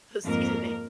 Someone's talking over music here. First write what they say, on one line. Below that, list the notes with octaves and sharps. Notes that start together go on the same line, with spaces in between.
the seasoning.
F2 G#2 A#3 A#4